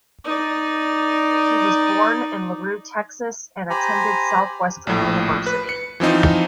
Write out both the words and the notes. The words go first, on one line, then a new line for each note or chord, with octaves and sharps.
He was born in LaRue, Texas and attended Southwestern University.
D#4 D5
G4 C5 G#5 A#5 B5
A#1 A2
B4
C#7
E3 F3 C4 D#4